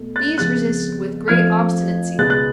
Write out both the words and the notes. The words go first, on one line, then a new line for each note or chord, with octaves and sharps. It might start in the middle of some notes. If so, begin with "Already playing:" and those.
These resisted with great obstinacy.
Already playing: B2 A3
F#6 A6
F2 C#3 G#3 B3 F#6 A6
F2 F3 A3 F6 G#6
C#2 B2 G#3 B3 F#6 A6
F#6 A6